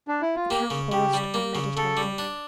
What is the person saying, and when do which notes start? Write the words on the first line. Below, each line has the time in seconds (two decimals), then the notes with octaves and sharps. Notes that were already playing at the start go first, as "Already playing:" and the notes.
The count paused and meditated.
0.08 D4
0.22 E4
0.35 F4
0.49 A#3 G4
0.70 C#3
0.92 C#3 G4
1.13 G3
1.34 A#3
1.55 C#3
1.77 C#3 A4
1.97 G3
2.18 D4